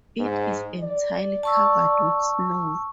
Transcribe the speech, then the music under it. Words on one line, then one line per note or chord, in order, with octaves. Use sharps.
It is entirely covered with snow.
G#2
D5
A5 C#6 E6